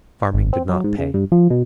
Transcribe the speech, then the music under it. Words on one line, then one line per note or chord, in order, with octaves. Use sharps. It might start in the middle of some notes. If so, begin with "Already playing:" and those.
Farming did not pay.
G#1
C4
F#3
G#2
C#3
G2
F3
B2